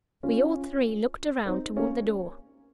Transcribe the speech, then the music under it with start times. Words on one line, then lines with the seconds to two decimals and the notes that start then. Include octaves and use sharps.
We all three looked around toward the door.
0.23 C#4 F4
1.46 C4 D#4
1.77 A#3 C#4